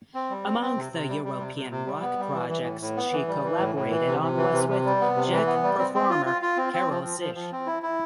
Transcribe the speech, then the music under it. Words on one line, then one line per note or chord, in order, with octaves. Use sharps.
Among the European rock projects she collaborated on was with Czech performer Karel Zich.
C4
G3
C4
C4
C3
C3
G3
G3
C3
C3
C3
G3
B3
G3
E3
E3
A2
A2
B3
E3
G3
E3
A2
A2
E3
C3
C3
E3
C3
C3
G3
B3
C3
E3
B3
G3
C4
C4
F4
F4
F4
C4
C4
F3
F3
F3
F3
C4
E4
E4